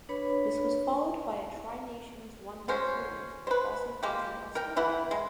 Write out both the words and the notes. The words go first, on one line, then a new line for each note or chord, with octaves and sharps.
This was followed by a tri-nations one-day tournament that also featured Australia.
D4 B4 C#5 B5
F#3 G#3 C#4 C5
B4 C5
G#3 A#3 G4
A#4 G5
E3 E4 B4 F#5
G#3